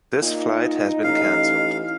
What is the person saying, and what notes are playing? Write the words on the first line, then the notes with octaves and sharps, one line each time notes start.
This flight has been canceled.
A#2 D#4
A1 F5